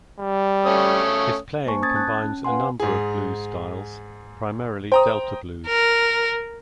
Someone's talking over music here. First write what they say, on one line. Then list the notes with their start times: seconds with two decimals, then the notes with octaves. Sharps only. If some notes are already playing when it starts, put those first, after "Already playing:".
His playing combines a number of blues styles, primarily Delta blues.
0.20 G3
0.65 A3 C#4 D#6
1.67 A#3 C5 G#5 A5 C#6
1.82 C#4 D#6 G#6 A6
1.96 A5 F#6
2.24 C#4
2.44 B4 F5 F#5 G#5 C6
2.80 G#2 G#4
4.92 C5 G5 A#5 D#6
5.67 A#4